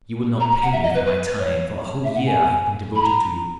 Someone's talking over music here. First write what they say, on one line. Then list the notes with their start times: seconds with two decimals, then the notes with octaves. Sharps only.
You will not pay me for my time--for a whole year I have been devoted to you!
0.40 A#5
0.51 A#5
0.62 F#5
0.72 E5
0.83 D#5
0.94 B4
1.06 B4
1.39 C#5
2.04 E5
2.15 F#5
2.26 G#5
2.95 B5
3.02 A#5